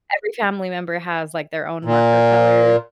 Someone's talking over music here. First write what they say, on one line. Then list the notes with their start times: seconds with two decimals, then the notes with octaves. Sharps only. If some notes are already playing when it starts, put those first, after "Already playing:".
every family member has, like, their own marker color
1.85 A#2